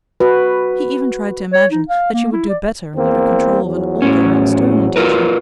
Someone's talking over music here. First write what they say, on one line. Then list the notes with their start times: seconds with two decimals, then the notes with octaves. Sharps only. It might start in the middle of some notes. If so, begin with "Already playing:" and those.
He even tried to imagine that she would do better under the control of an older and sterner teacher.
0.20 F#4 B4
1.53 C#5
1.72 D#4
1.89 F5
2.13 A#3
2.33 E4
2.49 D5
2.96 E2 A#3 C4
3.64 E2 F3 F#3
4.02 A2 C#4
4.96 F4 A#4 B4